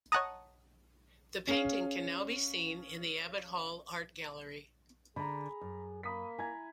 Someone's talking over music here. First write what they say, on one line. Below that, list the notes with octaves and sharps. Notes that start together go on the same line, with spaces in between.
The painting can now be seen in the Abbot Hall Art Gallery.
C#5 D#5 F#5 A5 A#5 D#6
C#4 G#4 F5 C7
D3 G#4 A#5 B5
F#2
A#3 B5 D#6 B6
E4 G#5 A#5 G#6